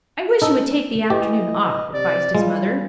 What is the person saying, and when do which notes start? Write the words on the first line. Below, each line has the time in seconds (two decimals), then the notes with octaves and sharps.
"I wish you would take the afternoon off," advised his mother.
0.42 C#4 D#4 A4
1.10 E3 G4 D#5
1.94 C3 D5
2.35 G3 G#3 F4